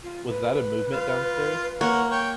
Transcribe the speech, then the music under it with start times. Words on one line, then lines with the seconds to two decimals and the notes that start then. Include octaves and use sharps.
Was that a movement downstairs?
0.03 F4
0.28 B4
0.93 F4 F5
1.81 A#3 C#5 F#5
2.10 C#5 G5